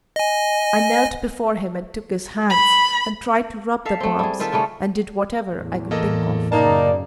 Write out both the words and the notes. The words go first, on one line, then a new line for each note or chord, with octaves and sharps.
I knelt before him and took his hands, and tried to rub the palms, and did whatever I could think of.
D#5 G#5
B5
A4 E5 F5
A3 C4
G3 G#4
D#3 F4 A4 E5
C#3 G3 A3 C#4
E2 A2
A#3 A4 D#5
F#2 C#3 A#3 D#4 D5 A5